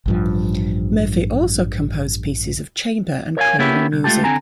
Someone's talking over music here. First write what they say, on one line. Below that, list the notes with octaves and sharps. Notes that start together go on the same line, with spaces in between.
Murphy also composed pieces of chamber and choral music.
A1 G2 F3
A#4 C#5 D#5 F5 G#5
A#3 B3 C#4 E4 G4
C2
G#3 A3 F4 G4 A4
D3 C4 G#5 A#5